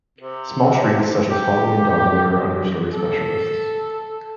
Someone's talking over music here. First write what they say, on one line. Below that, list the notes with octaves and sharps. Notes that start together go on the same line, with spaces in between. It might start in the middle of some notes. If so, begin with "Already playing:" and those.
Small trees such as holly and dogwood are understory specialists.
C3
G4
A4